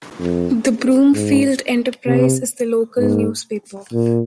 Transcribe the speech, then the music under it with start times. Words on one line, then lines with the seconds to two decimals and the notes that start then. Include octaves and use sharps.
The "Broomfield Enterprise" is the local newspaper.
0.20 F2
1.14 G#2
2.07 C3
2.99 G#2
3.93 A#2